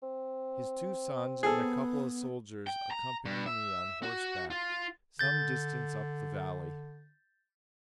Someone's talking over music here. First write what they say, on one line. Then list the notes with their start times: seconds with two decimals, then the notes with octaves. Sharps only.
His two sons and a couple of soldiers accompany me on horseback some distance up the valley.
0.02 C4
1.43 B3 G#4 A4
2.67 G5
2.91 A#5
3.25 G2
3.46 E5
4.03 F#4
4.50 F4
5.19 D3 G6 A6